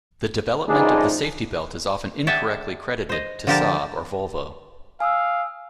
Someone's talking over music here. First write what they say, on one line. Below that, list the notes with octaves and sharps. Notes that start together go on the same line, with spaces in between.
The development of the safety belt is often incorrectly credited to Saab or Volvo.
A1 F#2 F3 D4 D#4 G#4
G#4 D5 E5 F#5 G5 A5
C5 D#5
D3 F3 D4 G4 A#4 A5
F5 G#5 D#6 E6